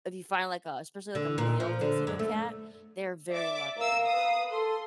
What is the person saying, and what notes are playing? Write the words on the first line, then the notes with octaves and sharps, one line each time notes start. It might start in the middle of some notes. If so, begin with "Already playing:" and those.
If you find, like, a especially like a male tuxedo cat, they're very loving
D3
A#2
F3
D3
F#2
A3
D5 E5 D6
A#4 F5 E6
B4 D#6
A4 C6